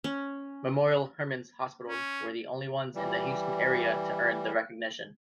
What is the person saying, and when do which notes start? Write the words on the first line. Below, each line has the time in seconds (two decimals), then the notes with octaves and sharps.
Memorial Hermann's hospitals were the only ones in the Houston-area to earn the recognition.
0.04 C#4
1.88 C#4
2.95 E3 G3